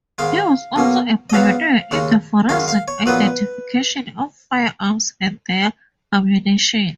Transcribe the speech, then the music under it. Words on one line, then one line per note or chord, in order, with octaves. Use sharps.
He was also a pioneer in the forensic identification of firearms and their ammunition.
G#2 D#3 G#3 F5
B1 B2 A#3 C#4
D#5
G#2 F#3 B3 F5
D#2 C#3 G#3 C#4
F#2 D#3 G#3 C#4 F5
F5
C#5
A#1 A#2 F#3 B3 B4